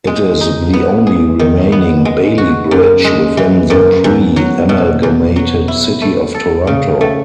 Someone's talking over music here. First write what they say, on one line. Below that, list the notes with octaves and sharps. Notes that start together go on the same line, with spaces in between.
It is the only remaining Bailey bridge within the pre-amalgamated City of Toronto.
G#3
D#4
B3
G#4
D#3
B3
G#3
F#4
F#2
G#3
E3
F#2
E2
F#3
B2
E2
F#3
E4
A3
A4
C#3
A3